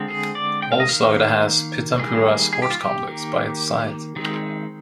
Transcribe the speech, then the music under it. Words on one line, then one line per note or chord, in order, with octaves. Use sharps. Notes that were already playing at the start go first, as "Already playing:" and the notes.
Also it has Pitampura Sports Complex by its side.
Already playing: D3 G#3 C4
G#4
D5
G5
F5
D#5
D#3 A#3 F5
D#3 G3 A#3 G#4
G#4
G4
F4
G4
D#3 A#3
D#3 G#3 C4